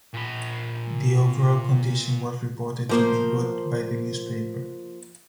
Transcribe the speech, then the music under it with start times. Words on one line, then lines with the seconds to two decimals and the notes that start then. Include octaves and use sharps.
The overall condition was reported to be good by the newspaper.
0.14 A#2 B5
2.89 F3 A#3 C5